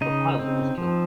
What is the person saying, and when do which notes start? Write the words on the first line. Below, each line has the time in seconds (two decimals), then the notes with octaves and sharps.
The pilot was killed.
0.01 C#3 D#4 D#5
0.39 C4
0.78 F3